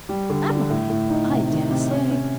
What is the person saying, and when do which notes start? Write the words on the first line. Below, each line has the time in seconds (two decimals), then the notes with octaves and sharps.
'Am I? I dare say.
0.09 G3
0.30 D3
0.50 D3
0.70 A2
0.90 A2
1.10 D#4
1.30 C3
1.50 D#3
1.71 C3
1.91 C#4
2.11 C#4